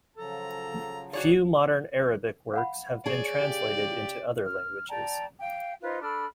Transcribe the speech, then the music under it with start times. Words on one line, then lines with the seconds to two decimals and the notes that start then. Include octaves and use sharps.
Few modern Arabic works have been translated into other languages.
0.17 C#3 F3 F#3 A4 A#5
1.13 F#4 G#4 C#5 D5
2.54 F5 F#5 B5
3.06 G#4 C#5 D5 G#5
3.39 C#3 G4
4.43 F6
4.88 D5 G5 A5 A#5
5.39 F5 G5
5.81 D#4 F4 B4 C5
6.01 D4 A4 B5 F6